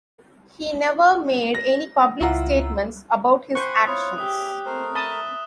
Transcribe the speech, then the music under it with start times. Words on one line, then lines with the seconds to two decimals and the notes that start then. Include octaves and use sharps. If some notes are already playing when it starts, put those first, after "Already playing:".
He never made any public statements about his actions.
1.55 A#6
2.21 C#2 E4 F4 F#5 A#5 E6
3.55 C5 F#5 G#5 B5 C#6 F#6
3.87 E4 F4 C#5 D#6
4.18 G4 G#4 E5 D#6
4.65 A3 A#4 C5
4.95 E5 A5 B5 D#6 G7